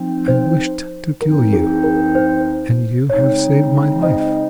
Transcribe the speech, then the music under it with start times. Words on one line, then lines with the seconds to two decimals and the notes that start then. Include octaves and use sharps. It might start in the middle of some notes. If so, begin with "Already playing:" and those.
I wished to kill you, and you have saved my life.
Already playing: F3 C4 D#4
0.28 C5
1.21 G2 F3 C4 D#4 A#4
1.53 G#4
1.83 A#4
2.15 C5
3.10 C#3 G#3 C4 D#4 C#5
4.03 C5 D#5